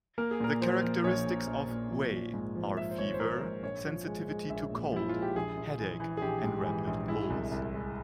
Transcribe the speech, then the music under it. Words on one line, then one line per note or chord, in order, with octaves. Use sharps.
The characteristics of "wei" are fever, sensitivity to cold, headache, and rapid pulse.
A#3 A#4
G#4
A#2 A#4
F3 C5
F3
A#1 C#5
A#1
A#1
A#2
F3
F3
G#2
F3
A#3 E5
C5
G#1 C#5
C5
F3 A#4
C5
G#2 A#4
A#1 C#5
F3
G#3
G#3
A#1 E5
A#2
F3 E4
G#3 F4
G4
A#1 G#4
A#1
E3
E3
G#4
A#1 G4
G#2
E3
A#1
G#3 E4
C2
C2
G#3